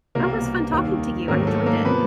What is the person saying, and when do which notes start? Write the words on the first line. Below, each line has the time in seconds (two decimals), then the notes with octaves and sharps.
It was fun talking to you, I enjoyed it.
0.15 C2 B2 G3 A#3 A#4
0.72 D#2 D#3 G3
1.28 G#2 D#3 F#3 A3 A#3 C#4 A#4
1.47 A3 A4
1.66 A#3 A#4
1.85 C3 F3 A#3 B3 B4